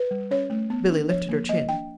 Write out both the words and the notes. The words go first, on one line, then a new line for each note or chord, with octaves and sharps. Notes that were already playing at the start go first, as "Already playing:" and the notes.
Billy lifted her chin.
Already playing: B4
G3
C#4 C#5
A3
B3
D4
F3 C#5
A#3
A#3 D#5
D4 G5